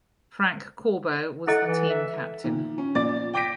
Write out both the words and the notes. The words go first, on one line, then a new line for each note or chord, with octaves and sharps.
Frank Corbo was the team captain.
E4 A4 D#5 F#5
E3
E5
A#2 D#3
C#4
A#2 D5 D6 A6
G5 D6 G6 A#6 B6 D7